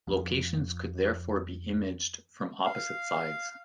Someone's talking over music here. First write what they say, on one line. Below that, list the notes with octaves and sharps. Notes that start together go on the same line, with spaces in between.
Locations could therefore be imaged from opposite sides.
F2 F3
F5